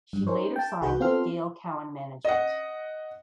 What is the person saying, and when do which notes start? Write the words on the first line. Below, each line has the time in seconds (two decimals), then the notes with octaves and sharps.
She later signed with Gail Cowan Management.
0.13 G2
0.27 C#4 D#4 A#4 C5 C#5
0.56 G5 A5
0.82 C2 F#4 G#4 B4 G6
1.00 B3 C4 F4 A4 C6 F6
2.25 D#5 F#5